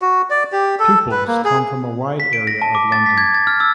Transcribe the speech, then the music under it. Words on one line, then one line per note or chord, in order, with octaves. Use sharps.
Pupils come from a wide area of London.
F#4
D5
G4
A4
B4
A#3
G#4
B6
D7
A#6
A5
D6
A6
B6
G#6
A6
F6
E6